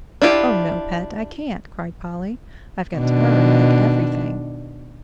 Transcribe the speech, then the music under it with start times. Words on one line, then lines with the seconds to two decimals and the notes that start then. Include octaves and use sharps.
"Oh, no. Pet, I can't," cried Polly, "I've got to hurry like everything!"
0.22 D4 E4 F4 G4
2.96 B2 D#3 D4